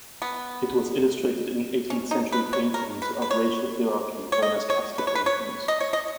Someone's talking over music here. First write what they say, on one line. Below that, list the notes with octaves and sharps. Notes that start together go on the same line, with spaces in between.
It was illustrated in eighteenth-century paintings of racial hierarchy, known as casta paintings.
B3
C#4
D#4
B4
C#5
A#4
B4
B4
C#5
C#5
D#5
C#5
B4
C#5
B4
C#5
D#5
C#5
D#5